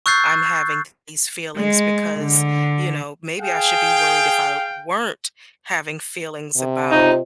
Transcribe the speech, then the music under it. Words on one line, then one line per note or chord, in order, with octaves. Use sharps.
I'm having th these feelings because, you know, maybe I should be worried if I weren't having feelings about,
C#6 E6 F#6 G6 A6 C7
G#3
D3
G#4 F5 G5
C3
D#4 F4 C5 D#5